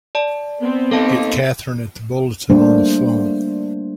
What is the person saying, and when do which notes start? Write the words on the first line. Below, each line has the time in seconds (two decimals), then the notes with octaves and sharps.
Get Katherine at the Bulletin on the phone!
0.15 D5 A5
0.60 B3 C4
0.91 A#3 D#4 A4 F5 A5
2.50 G3 A3 A#3 D4 C5